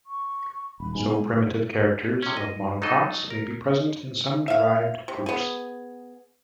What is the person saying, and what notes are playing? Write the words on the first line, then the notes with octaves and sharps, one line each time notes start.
So primitive characters of monocots may be present in some derived groups.
C#6
D#1 B5
G#2 B2 G#5
C3 C#4
D#5
F#3 D#4 F4 F#4 A4 D#5
A#4
E5 F5
C3
B3 G#4